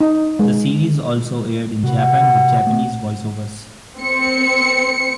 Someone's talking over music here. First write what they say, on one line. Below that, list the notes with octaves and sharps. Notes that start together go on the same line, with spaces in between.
The series also aired in Japan with Japanese voice-overs.
D#4
G#3
C3 B3 F#4
A3
C4 C#7